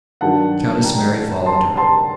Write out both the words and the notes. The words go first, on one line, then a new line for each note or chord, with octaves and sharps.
Countess Mary followed her.
G2 D#3 F#3 F#5 A5
G5 A#5
A5 C6
A5 C6